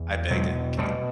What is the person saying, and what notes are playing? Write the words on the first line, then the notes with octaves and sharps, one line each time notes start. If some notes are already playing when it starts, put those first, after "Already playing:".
I begged him. "Ca
Already playing: E2
B2 F#3 G#3
B2 G3 A3